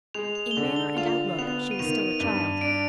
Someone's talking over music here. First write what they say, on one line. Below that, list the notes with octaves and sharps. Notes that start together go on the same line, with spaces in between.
In manner and outlook she was still a child.
G#3 F7
F7
G7
D3 F7
G7
F4 F7
B3 F7
D#7
D#3 F7
D#7
G2 D#7
D#7
D4 D7